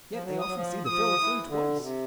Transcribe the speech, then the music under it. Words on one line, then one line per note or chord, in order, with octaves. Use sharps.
Yet they often see the film through twice.
F3
F#3
D#6
F#3
F3
F3 D#6
E3
D3
B2
C3